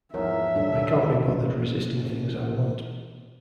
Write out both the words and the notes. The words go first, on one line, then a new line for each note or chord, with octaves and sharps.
I can't be bothered resisting things I want.
E2 G#2 F3 D#4 A#4 C#5 E5
D#1 G3 D4 A4
C3 E3 A#3 C#4